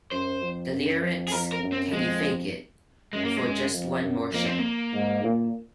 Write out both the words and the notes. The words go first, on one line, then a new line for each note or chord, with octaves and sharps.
The lyrics Can you fake it, for just one more show?
F#2 C5
F2
F#2
F2
G#4
F2 A#4
A#4
F#2
C4
F2 G#3
F#2 G#3
A#3
G#3
F#2
F2
F#2
F2 A#3
C4
A#3
G#2
A#2